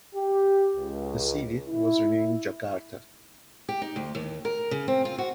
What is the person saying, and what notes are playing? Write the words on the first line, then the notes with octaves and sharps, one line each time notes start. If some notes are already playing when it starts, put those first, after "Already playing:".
The city was renamed Jakarta.
G4
C#2
E4
G4
D#4
D2
D#2
A#4
C#3
C4
F4
F#4